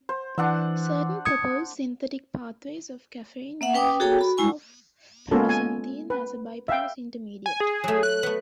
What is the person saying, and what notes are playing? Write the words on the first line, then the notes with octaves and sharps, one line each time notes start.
Certain proposed synthetic pathways of caffeine make use of paraxanthine as a bypass intermediate.
C5
E3 D4 F#5 E6
D#6 G#6 C#7
A#3 E5 F#5
C#4 B4 G5 D6 D#6
F#4 G#4 A4 C#5 G5 A#5
F#4 B5
G3 G#3 E4 G#5 C#6
G#3 A#3 B3 C#4 F4 A4
G#5
B4
E5 F5 G5
G#5
G#4
F#3 A3
F#6
A3 B3